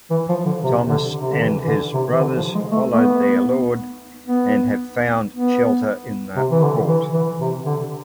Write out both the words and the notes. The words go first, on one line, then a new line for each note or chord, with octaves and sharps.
Thomas and his brothers followed their lord and have found shelter in the fort.
E3
F3
D3
C3
D3
C3
D3
E3
E3
D3
C3
E3
D3
F3
G#3
A3
A3
B3
B3
B3
C3
E3
D3
E3
E3
C3
D3